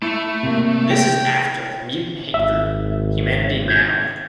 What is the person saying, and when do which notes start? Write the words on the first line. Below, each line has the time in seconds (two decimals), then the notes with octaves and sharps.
This is after the mutant-hate group Humanity Now!
0.02 A3 E4
0.43 C3 A#3
0.90 G5
2.34 G#1 E5
3.68 G6 G#6